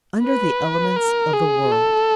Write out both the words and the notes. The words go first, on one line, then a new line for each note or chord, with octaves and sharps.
Under the elements of the world.
B4
A#4
G#4
A4